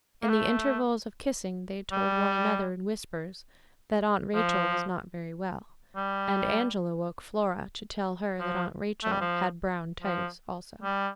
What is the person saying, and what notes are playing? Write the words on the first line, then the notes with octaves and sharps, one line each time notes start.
In the intervals of kissing they told one another in whispers that Aunt Rachel was not very well, and Angela woke Flora to tell her that Aunt Rachel had Brown Titus also.
A#3
A3
G3
F3
G3
F3
A3
G3
F3
F3
G3